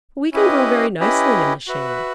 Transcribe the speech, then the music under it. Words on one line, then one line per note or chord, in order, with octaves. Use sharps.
"We can grow very nicely in the shade."
C#4 E4 G4 B4 D#5
C#4 E4 G4 B4 D#5
F#4 B4 E5